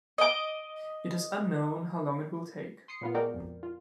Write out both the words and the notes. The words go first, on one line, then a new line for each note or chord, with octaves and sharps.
It is unknown how long it will take.
D#5 D6
C6 D#6 C7 C#7
A#2 B3 F4
G#3 A#3 F#4 A#4 D5 G5
F2
F4